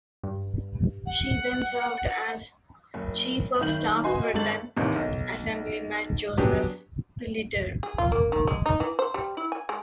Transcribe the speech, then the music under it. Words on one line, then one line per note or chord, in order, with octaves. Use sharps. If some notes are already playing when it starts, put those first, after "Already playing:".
She then served as Chief of Staff for then-Assemblyman Joseph Pillittere.
G2
F#5
F#1
F#1 D#3 G6 F#7
F#4 B4 D#5 G#5 C6
G#1 G2 G#3 A4 A6 F#7
A1 D#2 C3
B1
F#3 B3 D4 G4 G#4
G#4
F4
A#3
D#3
G#3
D#4
E3
C5
G3
E4
G#5
G#3